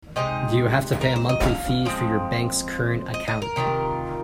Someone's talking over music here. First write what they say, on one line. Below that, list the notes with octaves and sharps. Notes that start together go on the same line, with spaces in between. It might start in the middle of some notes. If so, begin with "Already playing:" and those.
Do you have to pay a monthly fee for your bank’s current account?
C3 G#3 D#4 D#5
A#4
C5
D#5
F5
F3 G#3 C4
D#5
D#5
A#4
C3 D#3 A#3 F4